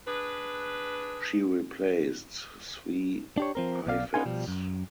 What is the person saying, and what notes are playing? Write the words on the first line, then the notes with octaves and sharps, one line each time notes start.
She replaced Zvi Heifetz.
D4 G#4 B4
D4 G4 C#5
F3 C4 A#4
B1 B3 D5 F5
B3 C#4 D#4 F4 G#5
B2 F3 G3
F#2